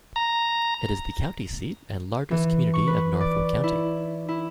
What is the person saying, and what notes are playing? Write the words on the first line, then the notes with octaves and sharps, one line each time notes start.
It is the county seat and largest community of Norfolk County.
A#5
E3
C#6
B4
D5
E4
E4